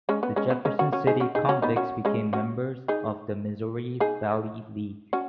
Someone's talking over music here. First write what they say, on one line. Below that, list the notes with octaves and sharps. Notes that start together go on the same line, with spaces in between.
The Jefferson City Convicts became members of the Missouri Valley League.
G#3 C#4
B3
G#3 C#4
B3
G#3 C#4
C#4 F#4
C#4 F#4
D#4 G#4
C#4 F#4
D#4 G#4
C#4 F#4
B3 D#4
C#4 F#4
G#3 C#4
C#4 F#4
D#4 G#4
D#4 G#4
C#4 F#4